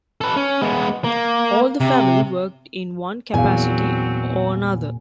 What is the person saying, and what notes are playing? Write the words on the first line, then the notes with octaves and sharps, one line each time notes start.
All the family worked in one capacity or another.
A4 B4
C#4
G#3 B3
A#3
C3
E2 A#2 F#3 C4 F5 G#5